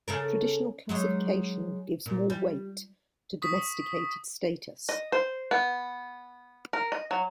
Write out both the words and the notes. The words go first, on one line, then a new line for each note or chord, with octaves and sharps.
Traditional classification gives more weight to domesticated status.
C#3 A4 A#4
F#3 G#3 D#4
A#2
G3
C#6 D#6 B6
D#5
C5
B3
A#4
D#5
F#3